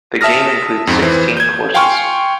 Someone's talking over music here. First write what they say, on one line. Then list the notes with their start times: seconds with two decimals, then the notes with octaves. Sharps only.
The game includes sixteen courses.
0.21 E5 A5 D#6 F6 A#6
0.87 F2 G#2 C4
1.02 E3 C5
1.37 G6 G#6
1.74 F5 G5 G#5 C6 C#6 F6